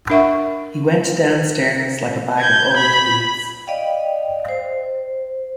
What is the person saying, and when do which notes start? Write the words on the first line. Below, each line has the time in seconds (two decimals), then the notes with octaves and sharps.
He went downstairs like a bag of old boots.
0.10 D4 A#4 E5 F#5 C#6
2.38 G6 G#6
2.77 B5
3.67 D5 D#5 F5 G5
4.48 C5